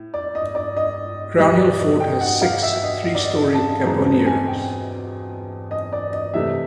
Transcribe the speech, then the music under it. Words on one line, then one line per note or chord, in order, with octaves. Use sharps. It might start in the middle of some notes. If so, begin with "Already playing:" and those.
Crownhill Fort has six three-storey caponiers.
Already playing: A2
D5
D#5
D5
D#5
E2 B2 G3 D#5
D5
D#5
G5
F#5
F5
E5
D#5
D#5
D5
D#5
A5
E2 B2 G#3 C4 A#5
A5
G#5
G5
D#5
D5
D#5
C3 E3 A3 E5